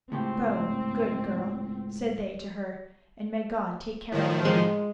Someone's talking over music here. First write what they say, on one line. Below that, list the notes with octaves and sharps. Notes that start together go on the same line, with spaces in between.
"Go, good girl," said they to her, "and may God take care of you."
C#2 A2 C4 G4
A2 D#3 F3
G#3 C6